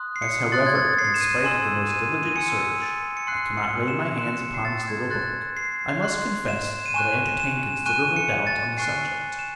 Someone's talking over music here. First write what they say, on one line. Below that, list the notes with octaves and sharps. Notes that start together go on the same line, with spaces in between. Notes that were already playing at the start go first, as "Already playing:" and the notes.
As however, in spite of the most diligent search, I cannot lay my hands upon this little book, I must confess that I entertain considerable doubt on the subject.
Already playing: C6 D#6 F#6
C7
C#7
C6 D#6 F#6 A6
G#6
A6
A6
C7
E7
D#7
G#5 C6 E6 E7
D#7
D#7
G#5 C6 E6 C#7
A6
C#7
C6 F#6 C7
C#7
E7
C6 F#6 E7
C#7
C7
A6
G#6
C6 F#6 A6
C7
C6 F#6 C7
E7
D#7
G#5 C#6 F#6 E7
E7
G#5 C#6 F#6 D#7
C#7
A6
G#5 C#6 F#6 C7
E7